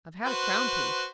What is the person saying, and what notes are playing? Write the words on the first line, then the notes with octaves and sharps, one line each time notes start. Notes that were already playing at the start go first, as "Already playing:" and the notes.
I've had a crown-piece.
F#4 B4 C5